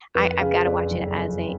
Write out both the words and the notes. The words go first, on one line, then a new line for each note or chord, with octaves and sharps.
I I've gotta watch it as a
F2 B4
C#3 F5
F2 D5
F#1
F2